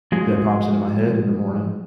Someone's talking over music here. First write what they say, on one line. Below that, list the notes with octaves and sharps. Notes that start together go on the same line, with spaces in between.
that pops into my head in the morning.
F3 G#3 F#4 G#4